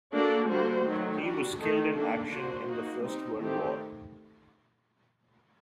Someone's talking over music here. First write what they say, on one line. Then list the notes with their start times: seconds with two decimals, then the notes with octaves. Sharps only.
He was killed in action in the First World War.
0.12 A#3 D4 F#4 A4 D5
0.48 D3 G3 A#3 F#4 C5
0.85 D#3 F#3 A3
1.21 G3 D4 F#4
1.58 D#3 A3 D#4 A4
1.94 A#3 D4 A4
2.29 A#3 D4 F#4 C5
2.66 A#3 D#4 F#4
3.02 G3 C4 D#4
3.38 D#3 A3 C4 G4